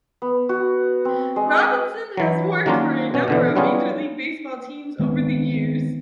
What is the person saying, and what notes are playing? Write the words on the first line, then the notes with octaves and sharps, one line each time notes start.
Robinson has worked for a number of Major League Baseball teams over the years.
B3
F#4
C4
G#3
D#6
E3 F#3
D#3 F#3 A#3 C#4 D4 F4
B2 C#4
B2 D3 E3
F#3 G3 B3 C#4 F4 G#4
D#3 G#3 B3 C4